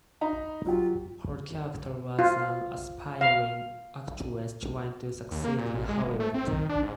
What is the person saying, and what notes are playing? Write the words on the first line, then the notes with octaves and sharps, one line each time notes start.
Her character was an aspiring actress trying to succeed in Hollywood.
D#4 A#5 B5
F#3 F4 G4
F4
F5
D#2
A#3
A#2
A1
G#3
D#1
A3
C4
D#3
D4
G#2